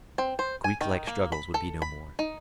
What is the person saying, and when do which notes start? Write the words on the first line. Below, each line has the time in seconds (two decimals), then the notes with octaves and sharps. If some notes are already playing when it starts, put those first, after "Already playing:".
Greeklike struggles would be no more.
0.18 C4
0.39 C5
0.64 G#5
0.81 D#3
1.07 A#3
1.32 B5
1.54 A4
1.82 B5
2.19 D#4